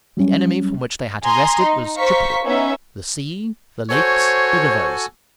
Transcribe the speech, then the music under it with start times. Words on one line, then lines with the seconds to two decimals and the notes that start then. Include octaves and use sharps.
The enemy from which they had to wrest it was triple: the sea, the lakes, the rivers.
0.17 F#3 G3 C#4
1.25 G#5 A#5 C6 D#6
1.62 D#4
1.95 C5 F5 A#5 C#6 B6
2.43 B3 C#4 D#4 E5
3.90 F#4 A4 C5 C#5 G#5